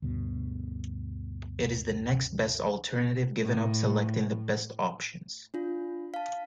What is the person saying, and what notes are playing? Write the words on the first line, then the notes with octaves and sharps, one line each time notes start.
It is the "next best" alternative given up selecting the best option.
D2 G2 B2
A2
D4 F4
F5 A5